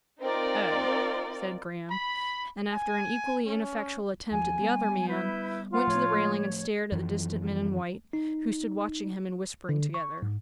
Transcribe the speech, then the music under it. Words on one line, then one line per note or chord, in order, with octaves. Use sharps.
"Oh!" said Graham, and after an equally ineffectual attempt at the other man, went to the railing and stared at the distant men in white, who stood watching him and whispering together.
C4 D#4 F4 A#4 D5
B5
G#5
C#4
D#2 F3 G#5
G3 B3
E4 B4 G6
F4 C5 F#5
A2 F3 A3 C#5
F#2 E3 F3
D#4
D3
C#6
G#2